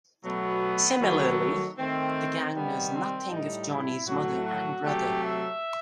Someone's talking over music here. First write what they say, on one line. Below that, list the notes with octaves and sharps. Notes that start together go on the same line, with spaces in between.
Similarly, the gang knows nothing of Johnny's mother and brother.
B2 F#3 A3 B3
D#3 F#3 A3
D#3 A3 C4
C3 D#3 G3 B3
C4
A2 G3 D#4
E4
A2 F#3 A3 F#4
F#4
C3 F#3 A3 G4
E5